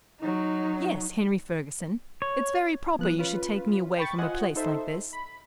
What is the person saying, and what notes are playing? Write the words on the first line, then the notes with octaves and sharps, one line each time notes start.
"Yes, Henry Ferguson; it's very proper you should take me away from a place like this."
F#3 D#4
C#5
F3 F#3 B3 F#6
C#4 F4 B4
G5 B5 C#6 A6
F4 C5 D#5 F#5 G#5
D#4 A4 C5 E5
B5